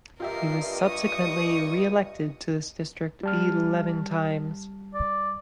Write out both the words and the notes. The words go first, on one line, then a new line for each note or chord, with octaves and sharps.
He was subsequently reelected to this district eleven times.
G2 F4 G4 A#4 D#5 E5 C7
C#6 D#6
G3 A5 F6
D5